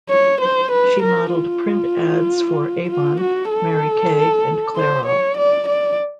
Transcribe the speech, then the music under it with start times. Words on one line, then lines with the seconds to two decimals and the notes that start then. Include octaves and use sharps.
She modeled print ads for Avon, Mary Kay, and Clairol.
0.10 C#5
0.41 C5
0.72 B4
1.03 A#4
1.34 F4
2.90 F4
3.21 F#4
3.51 A4
4.76 C5
5.06 C#5
5.38 D5
5.69 D5